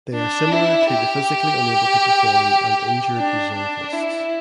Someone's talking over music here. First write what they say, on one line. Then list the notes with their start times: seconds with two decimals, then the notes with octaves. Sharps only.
They are similar to the physically unable to perform and injured reserve lists.
0.14 D4
0.53 E4
0.90 G4
3.18 D4
3.55 D4
3.93 E4